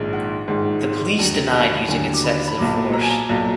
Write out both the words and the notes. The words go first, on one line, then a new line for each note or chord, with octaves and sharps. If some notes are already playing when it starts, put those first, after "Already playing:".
The police denied using excessive force.
Already playing: A#1 G#2 D#3 G#3
F#5
A#1 G#2 D#3 G#3
D#2 D3 F#3
D#2 D3 F#3 G#5
D6
B5
B5
B1 A#2 F#3 D6
A#5
G#5
A#5
B1 A#2 F#3